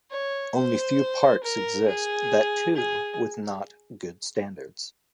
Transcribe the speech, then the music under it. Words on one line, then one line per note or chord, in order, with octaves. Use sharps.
Only few parks exist that too with not good standards.
C#5
C5
A#4
G#4
G#4